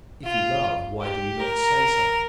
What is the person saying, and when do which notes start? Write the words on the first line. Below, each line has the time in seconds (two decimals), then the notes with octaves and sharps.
If you love, why do you not say so?
0.24 F4
1.01 G4
1.39 A#4